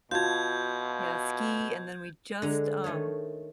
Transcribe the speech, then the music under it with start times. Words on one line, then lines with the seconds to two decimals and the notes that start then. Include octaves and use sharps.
Yeah, ski, and then we just, um
0.11 B2 F4 F#4 A5 G6 G#6
2.42 D3 G#3 A#5
2.84 D#3 A3 C5 C#5